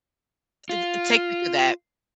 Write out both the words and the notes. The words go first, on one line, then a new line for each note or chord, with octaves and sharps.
Th th take me through that.
F4